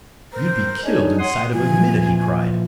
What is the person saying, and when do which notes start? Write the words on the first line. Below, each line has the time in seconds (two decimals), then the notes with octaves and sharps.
"You'd be killed inside of a minute!" he cried.
0.33 A#4 C5
0.85 D4 D#4 G#4 C#5
1.19 F#5 C6 D#6
1.54 A#2 E3 F3 G#5